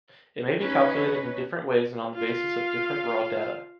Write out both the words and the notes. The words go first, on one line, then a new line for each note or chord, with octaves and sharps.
It may be calculated in different ways and on the basis of different raw data.
C#4 D#4 B4
F4 F5